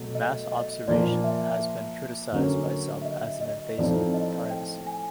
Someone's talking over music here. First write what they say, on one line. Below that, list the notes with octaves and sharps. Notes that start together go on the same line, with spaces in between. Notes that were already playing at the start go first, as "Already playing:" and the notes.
Mass-Observation has been criticised by some as an invasion of privacy.
Already playing: B2 F#3 A3
D#5
D#5
A#2 F3 A#3 D5
E5
D3 F#3 A#3 C#4
E5
D#5
D#5
A2 F3 A3 C4 D#4 D5
D#5
G5
G#5